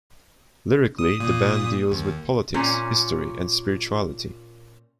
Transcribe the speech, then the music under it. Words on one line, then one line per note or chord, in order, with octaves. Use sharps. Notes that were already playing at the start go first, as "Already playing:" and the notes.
Lyrically, the band deals with politics, history and spirituality.
D#6
A#2 D#6
D#2
A#2 C#4